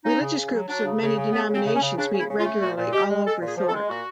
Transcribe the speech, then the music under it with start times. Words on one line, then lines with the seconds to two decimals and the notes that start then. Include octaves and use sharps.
Religious groups of many denominations meet regularly all over Thorpe.
0.04 C#3 D#4
0.21 C#3
0.36 C#3
0.53 F#3
0.69 F#3 D4
0.85 C#3
1.01 C#3
1.17 C#3
1.33 C#3 B3
1.49 C#3
1.54 C4
1.65 C#3
1.75 C#4
1.81 C#3
1.97 C#3 D4
2.13 C#3
2.18 E4
2.29 C#3
2.39 F4
2.44 A3
2.61 A#2 F#4
2.77 A#2
2.93 G#3 G4
3.09 G#3
3.25 G#3 A4
3.41 A#2
3.46 G#4
3.56 F3
3.68 A4
3.73 G#3
3.89 A#2 F#4